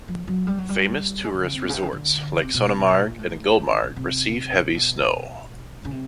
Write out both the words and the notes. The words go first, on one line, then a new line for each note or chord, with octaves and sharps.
Famous tourist resorts like Sonamarg and Gulmarg receive heavy snow.
F3
F#3
G3
F#3
G3
G#3
D3
C#3
C3
A#2
C#3
C3
C#3
D3
C3
B2
C3
B2
A#2
A2
G#2
D3
C#3
C3
B2
C#3
C3